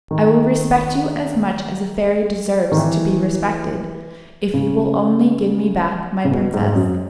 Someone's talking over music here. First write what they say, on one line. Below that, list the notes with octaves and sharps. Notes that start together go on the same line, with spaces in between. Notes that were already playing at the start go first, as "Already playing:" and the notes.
"I will respect you as much as a fairy deserves to be respected, if you will only give me back my princess."
D#3
D#3
E3
C#3
C#3
B2
G#2
F#2